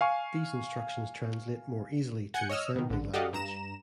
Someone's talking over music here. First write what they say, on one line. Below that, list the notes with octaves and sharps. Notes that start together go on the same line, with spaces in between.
These instructions translate more easily to assembly language.
F5 G#5 C#6
F#5 G#5 G6 C#7
C#5 D#5 E6 F6
B2 D#3
A1 D3
F#4 G4 A4 D5 D#5 F5
G2 A#5 E7